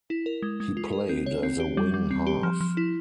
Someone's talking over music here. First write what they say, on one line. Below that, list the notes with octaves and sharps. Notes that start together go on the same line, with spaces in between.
He played as a wing half.
E4
A#4
G#3
G#3
F4
A#4
C4
C#5
C4
G4
G3
G3
C4
G4
F3
F3
E4